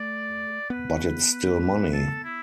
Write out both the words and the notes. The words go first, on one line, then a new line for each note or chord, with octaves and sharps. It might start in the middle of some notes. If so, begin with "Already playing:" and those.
But it's still money.
Already playing: A3 D5
B3 B4
B4
A4
E4